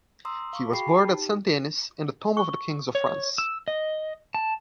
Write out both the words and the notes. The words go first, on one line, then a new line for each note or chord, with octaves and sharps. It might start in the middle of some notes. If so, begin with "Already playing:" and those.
He was buried at Saint-Denis in the tomb of the Kings of France.
A#5 C6 D#6 E6
F5 C#6 D6
F#4 G#4 G5 B5 C7
A5
D#4 G4
C#6
C#5
E6
D#5
A5